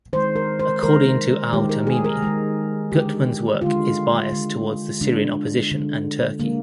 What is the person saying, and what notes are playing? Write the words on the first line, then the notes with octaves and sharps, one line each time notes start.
According to Al-Tamimi, Gutman's work is biased towards the Syrian opposition and Turkey.
D#3 G#3 C5
A#4
C5
D#3 G#3 A#4
D#3 G#3 G4
A#4
G#4
A#4
D#3 G#3
D3 G#3 G4
D3 G#3 F4
D3 G#3
D3 G#3 D4
D3 G#3
D3 G#3 A#3